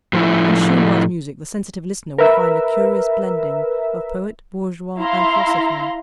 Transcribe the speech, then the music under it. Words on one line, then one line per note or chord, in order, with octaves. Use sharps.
In Schumann's music the sensitive listener will find a curious blending of poet, bourgeois, and philosopher.
A2 F3 A3 E4 G#5
A#4 B4 E5
E4 F5 A#5 C6